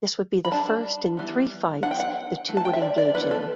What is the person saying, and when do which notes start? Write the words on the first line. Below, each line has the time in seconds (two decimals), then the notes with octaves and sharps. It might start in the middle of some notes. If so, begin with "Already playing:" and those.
This would be the first of three fights the two would engage in.
0.45 B5
0.52 G3 D4 A5
1.17 E3 G3 B3
1.83 E3 B3 D4 F#5
1.91 G5
2.00 F#5
2.48 E3 A3
2.57 A5
2.65 G5
2.73 E5
2.82 D5
2.98 D5
3.14 E3 B3 D4 B4
3.31 A4